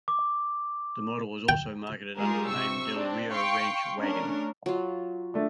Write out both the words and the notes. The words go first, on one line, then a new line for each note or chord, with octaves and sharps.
The model was also marketed under the name Del Rio Ranch Wagon.
D6
G5
G#3 F4 G4 G#4 A#4
C3 C#6 E6
C4 D4
F5 G5 C6 C#6
A3 C#4 D4 A#4
F#3 F4
A3 D4